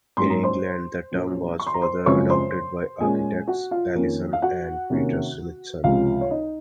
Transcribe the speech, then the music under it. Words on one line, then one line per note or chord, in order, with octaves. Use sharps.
In England, the term was further adopted by architects Alison and Peter Smithson.
G#2 F#3 A#3 C#4 C6
A#5
C5 C6
A#2 F#3 A#3 C#4
C#6
C6
A#5
C5 C6
F#2 C#3 F3 G#3 C4 C#5 C#6
C5 C6
A#2 G#3 C#4 G#4 G#5
F#4 F#5
F4 F5
F2 D#3 A#3 C#4
F5
F#4 F#5
C3 D#3 A#3 C#4
C#2 C3 F3 G#3 C#4 F4 F5
C#5
D#4 D#5